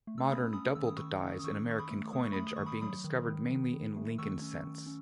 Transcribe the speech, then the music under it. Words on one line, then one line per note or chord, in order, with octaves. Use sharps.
Modern doubled dies in American coinage are being discovered mainly in Lincoln cents.
A3
E6
C#4 B5 D#6
C#4 B5 D#6
D#3 E6
D#6
D#3 C#6 E6
C#4
D#6
D#3 C#6 E6
D#3 C#6
B5 D#6
A3
A3 D#6
C#6
A3 B5 D#6
D#6
D#3 C#6
B5 D#6
F#3 B5 D#6
D#3
D#3
D#3
D#3
A3
D#3 C#6 E6
C#4
D#3
C#4